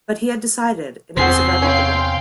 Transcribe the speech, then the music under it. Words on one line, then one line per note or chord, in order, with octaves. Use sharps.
But he had decided, and it was irrevocable.
E2 C3 C4 F#4 G#4 C5 C7
C#4 C#5 F5 G5 C6